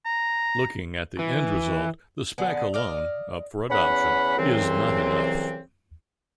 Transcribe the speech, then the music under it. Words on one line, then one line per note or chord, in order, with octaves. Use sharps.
Looking at the end result, the spec alone, up for adoption, is not enough.
A#5
E3
D3 B3 G#4
D5 D#5 F5
E2 C#4 F#5 B5
C2 C#3 E3 F#3 C4